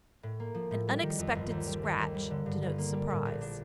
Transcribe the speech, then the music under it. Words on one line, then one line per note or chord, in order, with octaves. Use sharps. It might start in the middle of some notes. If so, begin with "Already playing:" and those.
An unexpected scratch denotes surprise.
A2
A#3
F3
A2
G3
D#3
F2
G1
D#2
G3
D#3
D#2
G3
D3
G2
G1
A#3
G3
A2
A#1
D4